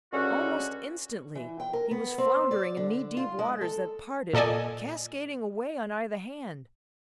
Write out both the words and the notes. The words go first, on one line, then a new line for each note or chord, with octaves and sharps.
Almost instantly he was floundering in knee-deep waters that parted, cascading away on either hand.
C#2 D3 C#4 F#4
E3
G5
A#4
B3
C4
D5
D3
F4
G#3
A4
A#2 A4 D5 D#5 G#5